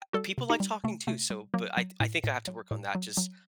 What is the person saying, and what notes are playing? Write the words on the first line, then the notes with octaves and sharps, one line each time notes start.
uh, people like talking too, so, but I I think I have to work on that just
G3 F#4 A4
C3
D#4 G4
G3
C3 A3
C3 A3
G3
F#3 A#3
F#3
A2
A2
F#3
A2
F#3
F#3